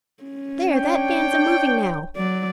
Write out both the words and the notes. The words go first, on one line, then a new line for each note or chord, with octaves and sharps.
There, that van's a-moving now.
C#4
D4 C#5 G5
F#3 D5